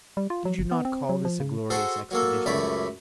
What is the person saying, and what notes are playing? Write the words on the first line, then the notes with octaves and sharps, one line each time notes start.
Did you not call this a glorious expedition?
G3
F4
F#3
G1
B3
C4
F#3
F3
C#3
F#4 G#4 A4 C5
F#3 A#3 A4
C#2 F#2 C#3 A3 D5 B5